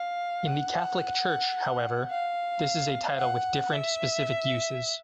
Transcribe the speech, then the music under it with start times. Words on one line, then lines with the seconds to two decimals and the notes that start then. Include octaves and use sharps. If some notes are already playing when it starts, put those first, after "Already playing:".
In the Catholic Church, however, this is a title with different specific uses.
Already playing: F5
0.47 F#5
2.10 F5
3.19 F#5
3.73 E5